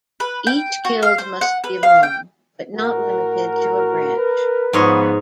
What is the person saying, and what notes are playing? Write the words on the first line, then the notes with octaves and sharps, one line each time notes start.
Each guild must belong, but not limited, to a branch.
B4
G5
F#4
F5
C5
F#5
B4
F5
G5
A2 F#4 A#4
B4
G#2 F3 B3 C#5 D#5